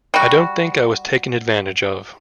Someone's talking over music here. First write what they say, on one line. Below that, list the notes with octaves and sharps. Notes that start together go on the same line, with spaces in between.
I don't think I was taken advantage of.
G3 F#4